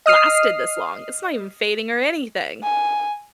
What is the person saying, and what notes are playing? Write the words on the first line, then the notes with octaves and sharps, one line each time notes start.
lasted this long. It's not even fading or anything.
D#5 D#6 F6 C7
G#5